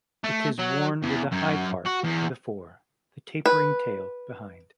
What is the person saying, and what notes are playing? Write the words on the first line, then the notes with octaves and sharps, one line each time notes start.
It is worn with the high part to the fore, the tapering tail behind.
A3
F#3
E2
F#2
F#4
E2
B4